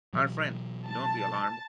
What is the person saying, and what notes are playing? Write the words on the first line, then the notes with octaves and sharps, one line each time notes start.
Our friend — don't be alarmed!
B2 E3 F#3
A5